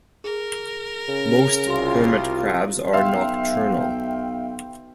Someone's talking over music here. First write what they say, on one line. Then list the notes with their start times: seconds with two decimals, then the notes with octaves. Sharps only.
Most hermit crabs are nocturnal.
0.24 G#4 A#4
1.08 C#3
1.67 C2 F4 F#4 C6
2.93 B1 E5 F5 G5 C6